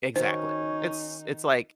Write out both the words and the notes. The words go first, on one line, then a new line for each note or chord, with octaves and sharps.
Exactly. It's it's like
D#3 C#4 D#4 F#4 C5